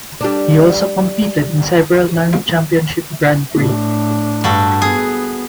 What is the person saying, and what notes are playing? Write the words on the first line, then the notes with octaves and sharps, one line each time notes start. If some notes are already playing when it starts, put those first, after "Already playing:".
He also competed in several non-Championship Grand Prix.
G3 D4
A2 D4
G2 F#4 A4
B3 G#4